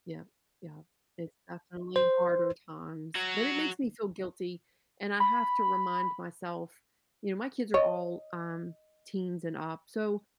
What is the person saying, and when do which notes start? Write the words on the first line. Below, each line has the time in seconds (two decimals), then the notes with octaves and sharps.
Yep yep, it's definitely harder times, but it makes me feel guilty and I have to remind myself you know, my kids are all, um, teens and up, so,
1.96 C5
3.15 F#3 F#4
5.20 B5
7.74 C#5 D#5